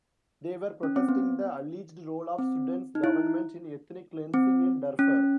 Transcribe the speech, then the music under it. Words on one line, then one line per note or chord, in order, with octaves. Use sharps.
They were protesting the alleged role of Sudan's government in ethnic cleansing in Darfur.
C#4
C4
B3
C4
D#4
E4
C4
C#4